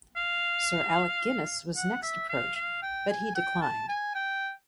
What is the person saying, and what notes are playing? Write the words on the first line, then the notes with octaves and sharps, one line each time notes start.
Sir Alec Guinness was next approached but he declined.
F5
F#5
E5
F5
F5
G5
G#5
G5
A5
G#5
G5